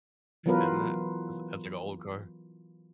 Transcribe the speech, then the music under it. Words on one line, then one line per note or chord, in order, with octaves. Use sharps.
isn't it? S that's like a old car.
E3 F#3 B3 F4 A#4 B4